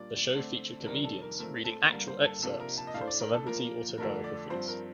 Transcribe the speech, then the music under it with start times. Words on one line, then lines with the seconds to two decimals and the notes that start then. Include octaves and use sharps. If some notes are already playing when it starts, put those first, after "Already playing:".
The show featured comedians reading actual excerpts from celebrity autobiographies.
Already playing: A#2 G3 D4 D5
0.34 D3 A3 C4
0.86 F2 C3 D#3 G3 D4 A#4
1.04 A4
1.22 A#4
1.39 A#2 A3 C4 A#4
1.64 A4
1.90 G2 D3 G3 A#3 A#4
2.08 C5
2.25 A4
2.42 C3 F3 A#3 D4 A4
2.60 A#4
2.78 A5
2.87 D#5
2.94 A2 A3 D4 F5
3.01 C5
3.07 D5
3.20 A#4
3.34 A4
3.46 A#2 F3 A#3 A#4
3.98 F2 D3 A3 D4 A#4
4.24 D5
4.50 G2 F3 C4 C5
4.68 A#4